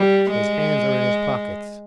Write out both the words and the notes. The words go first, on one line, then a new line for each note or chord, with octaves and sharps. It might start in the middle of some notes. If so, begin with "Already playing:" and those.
His hands are in his pockets.
Already playing: G3
G#3